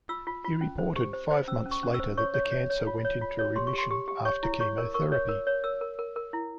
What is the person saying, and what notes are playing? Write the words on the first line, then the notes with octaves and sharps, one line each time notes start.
He reported five months later that the cancer went into remission after chemotherapy.
F4 E6
F4
F4
C#4
C5
G4
C5
C5
C#4 E6
C#4
C#6
C#4
E6
C5
C#5 C#6
C#5
C#5
C#5
F4
C#5
F4
C#5
G4 C6
C#6
G4 C6
G4
G4
C#5 C#6
E4
C#5 C#6
A#4
A#4 C#6
C#5
A#4
C#5
A#4 E6
A#4
A#4
A#4
E4